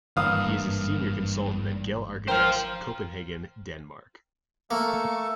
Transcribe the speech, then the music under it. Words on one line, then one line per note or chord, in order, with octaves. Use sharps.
He is Senior Consultant at Gehl Architects, Copenhagen, Denmark.
G#1 G2 E3 A#3 F5 D#6
A#4 C5 F5 G5
A3 A#3 A4 C#6